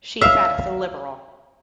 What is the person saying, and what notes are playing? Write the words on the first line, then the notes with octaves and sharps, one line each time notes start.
She sat as a Liberal.
E5 F5